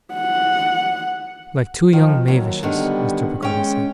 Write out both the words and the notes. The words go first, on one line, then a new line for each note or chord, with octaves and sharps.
'Like two young mavishes,' Mr. Peggotty said.
F#5
D#3 F3
D#2 F#3
D3 D#3 G3 B3
G#3 C#4 G5